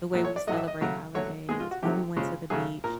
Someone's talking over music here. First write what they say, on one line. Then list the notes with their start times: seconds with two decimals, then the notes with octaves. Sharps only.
the way we celebrate holidays when we went to the beach
0.14 A#2 F#3 A3
0.25 C#5
0.36 D5
0.47 A2 F#3 A3 D#5
0.57 E5
0.68 D#5
0.81 C#3 F#3 A3
1.15 D3 F#3 A3 C#5
1.49 B2 G#3 G#4
1.60 F4
1.71 F#4
1.83 C3 D#3 F#3 A3 G4
2.17 C#3 F3 G#3
2.50 C#3 F#3 A3 G#4
2.84 A#2 A#4